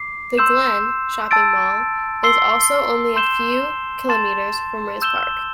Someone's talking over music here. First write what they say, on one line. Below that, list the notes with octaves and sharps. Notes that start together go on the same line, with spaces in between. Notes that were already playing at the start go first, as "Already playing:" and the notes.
"The Glen" Shopping Mall is also only a few Km from Rispark.
Already playing: D6 C7
C6 E6 G6 E7
A5 E6 A6 D7
C6 E6 C7 G7
C6 G6 E7 G7
A5 C6 A6 E7
E6 G6 E7 G7